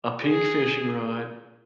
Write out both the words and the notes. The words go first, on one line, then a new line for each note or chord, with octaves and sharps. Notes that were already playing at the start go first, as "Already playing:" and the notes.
a pink fishing rod."
G#4